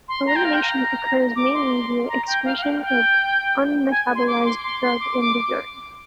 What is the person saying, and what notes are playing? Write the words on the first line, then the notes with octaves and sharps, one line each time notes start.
Elimination occurs mainly via excretion of unmetabolized drug in the urine.
C6
A#5
G5
F5
G5
A#5
D6
C6
A#5
G5
F5
F5
G5
G5
G#5
C6
D6
C6
C6
C6
D6
D6